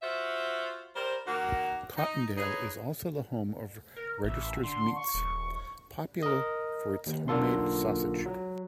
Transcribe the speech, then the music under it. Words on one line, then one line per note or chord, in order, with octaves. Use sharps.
Cottondale is also the home of Registers Meats, popular for its homemade sausage.
F4 F#4 C5 E5
G3 A#4 C5
D#3 A#3 F#4
D#4
D#4 G#4 B4 C#5
A#4
A1 E5
D3 C6
C#6
D#1
A#4 D#5
D#2
B1 D3 A#3 F4 A4 C6
F#3